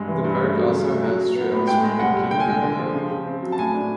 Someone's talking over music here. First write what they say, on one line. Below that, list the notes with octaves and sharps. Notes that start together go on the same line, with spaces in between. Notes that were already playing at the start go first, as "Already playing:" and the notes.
The park also has trails for hiking and running.
Already playing: G2 G#3
E3
G2
A3
F#3
C#3
A3
F#3
F#3
B3
A2
G#3 G5
G#3
C2 F#5
C2
D3 G5
G#5
G#3 G5
D3
F3
C#3
C#3
C4
F#3
A5
A2 G#5
D4